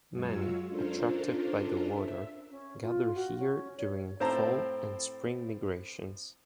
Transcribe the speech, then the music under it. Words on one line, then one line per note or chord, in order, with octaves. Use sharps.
Many, attracted by the water, gather here during fall and spring migrations.
F#2 F#3 G#3 F4 C#5 E6
C#4 D4 F4 A4 A#4 C5
E5
C#4
F4
F#4
C#4
C#5
A2 C4 C5 A5 A#5